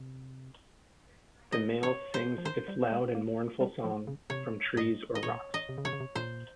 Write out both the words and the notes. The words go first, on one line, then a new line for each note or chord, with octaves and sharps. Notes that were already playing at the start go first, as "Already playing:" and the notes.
The male sings its loud and mournful song from trees or rocks.
Already playing: C3
D#5
C#5
C5
F3
D#3 C5
G3
A#3
G#3
A#3
G3
F3
C#3
C3 C#5
G#2 D#5
D#5
A#2 C#5
D#5
C3
C#3
C3 C#5
C#3
C3
A#2 C5